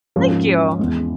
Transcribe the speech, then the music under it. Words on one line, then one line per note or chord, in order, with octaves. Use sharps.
Thank you!
G#2 F3 A#3 C#4
E2 E3 G#3